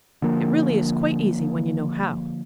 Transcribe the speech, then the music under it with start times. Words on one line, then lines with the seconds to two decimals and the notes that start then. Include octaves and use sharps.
It really is quite easy when you know how.
0.22 D3 F3 A#3